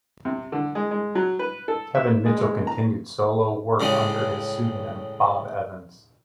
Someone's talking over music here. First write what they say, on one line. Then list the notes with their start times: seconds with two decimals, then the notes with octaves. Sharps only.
Kevin Mitchell continued solo work under his pseudonym, Bob Evans.
0.25 C3
0.52 D3
0.75 G#3
0.91 G#3
1.15 F#3
1.39 B4
1.68 A4
1.95 E5
2.26 G#3
2.38 G#3
2.67 A#5
3.80 A2 C#3 G3 G#3